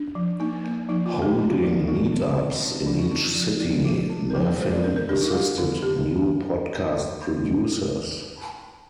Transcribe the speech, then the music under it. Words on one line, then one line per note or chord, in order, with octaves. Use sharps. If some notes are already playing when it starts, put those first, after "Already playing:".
Holding "meetups" in each city, Maffin assisted new podcast producers.
Already playing: D4
F3
A#3 D#4
A#3
F3 D#4
F4
D3
G4
C4 F4
F3
G#3 D#4
C4
D#3
C4
F3 D4
D#4
C4 D#4
F4
F3
F3
F3 F4
C4
A#4
F3 G#4
A#4
G#3 C5
D5
D4 A#4
A#4
D4 G4
D#4
F4
G3 G4
D3
C4 G4